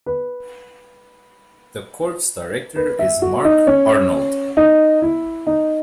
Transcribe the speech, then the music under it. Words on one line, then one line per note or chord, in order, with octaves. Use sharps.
The corps director is Mark Arnold.
B4
B4
E5
F#4
D#4
C#4
D#4
E4
D#4